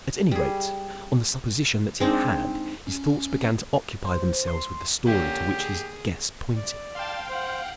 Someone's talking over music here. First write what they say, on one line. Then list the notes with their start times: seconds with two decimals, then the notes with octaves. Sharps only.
At any rate, on the supposition that he had, his thoughts began to occupy themselves with the story to which his guess pointed.
0.31 G3 G#4
2.00 G#3 C4 D4 D#4
2.87 C#4
4.05 C5
4.48 C6
5.06 D3 A#3 C#4 G4
5.57 G#4
6.56 D5
6.95 F5 G5 A5 C6
7.29 C5 F#5